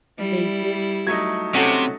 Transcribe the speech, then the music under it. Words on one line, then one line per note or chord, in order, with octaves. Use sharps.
They did
G3 E4
F#3 A3 D#4 G#6
C3 C#4 F#4 A4